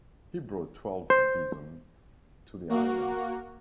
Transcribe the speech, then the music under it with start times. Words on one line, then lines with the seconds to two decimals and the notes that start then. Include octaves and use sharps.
He brought twelve bison to the island.
1.10 C5
2.69 A#3 F#4